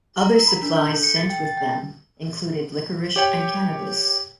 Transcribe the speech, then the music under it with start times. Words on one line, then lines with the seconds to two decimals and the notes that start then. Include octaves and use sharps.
Other supplies sent with them included liquorice and cannabis.
0.21 A#5
0.36 A#4
0.48 B5
0.62 D4
0.77 G6
0.91 A4
1.03 C#7
1.16 A6
1.30 G5
1.45 A6
1.57 G5
3.16 G4 C#5 G5